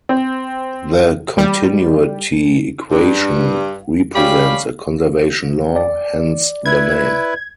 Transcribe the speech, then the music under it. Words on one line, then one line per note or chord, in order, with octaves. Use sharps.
The continuity equation represents a conservation law, hence the name.
C4
G3
G2
G3 C#4 G4 F5 B5
D5
E4 B4 G#6